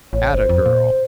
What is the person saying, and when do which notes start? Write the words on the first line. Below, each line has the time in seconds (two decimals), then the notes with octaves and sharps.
Atta girl!
0.13 A1 C#5
0.33 F#1 C5
0.49 F2
0.66 A#2